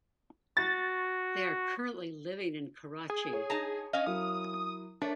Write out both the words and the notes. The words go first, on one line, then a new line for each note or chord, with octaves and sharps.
They are currently living in Karachi.
F#4 A6
G#4
C#5
D#4 A5 A#5
C#4 D#5 F5
F#3 E4 A#4 D#6
A3 D4 A#4 C#5 D5